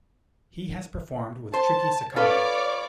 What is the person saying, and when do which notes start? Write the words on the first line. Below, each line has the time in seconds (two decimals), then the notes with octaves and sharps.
He has performed with Trichy Sankaran.
1.54 C5 A5
2.16 F4 A4 B4 C#5 D5 D6